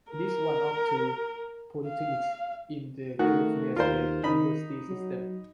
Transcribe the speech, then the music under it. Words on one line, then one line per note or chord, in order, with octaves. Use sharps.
It is one of two polytechnics in the California State University system.
A#4
F5
D#3 A3 F#4
D#2 F4 A#4 C5
D#3 D#4 B5
F#3